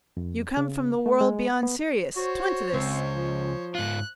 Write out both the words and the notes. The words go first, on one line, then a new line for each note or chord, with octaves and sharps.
You come from the world beyond Sirius, twin to this.
F2
C#3
A3
G#3
B3
F#4 C5 C#5
C#2 C4
F3
G#2 F4 F#6